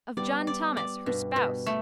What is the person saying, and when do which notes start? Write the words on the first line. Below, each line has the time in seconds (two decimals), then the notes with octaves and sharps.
Of John Thomas, her spouse.
0.17 G3 B3 D5
0.47 D5
0.77 D5
1.06 G2 B2
1.36 B2
1.66 A3